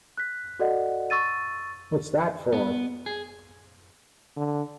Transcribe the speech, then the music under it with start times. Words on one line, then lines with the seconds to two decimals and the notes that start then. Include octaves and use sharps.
What's that for?
0.17 F#6 B6
0.59 F#4 A4 D5 D#5 F#5
1.10 C#6 E6 A6 D#7
2.53 B3
3.06 G#4
4.37 D3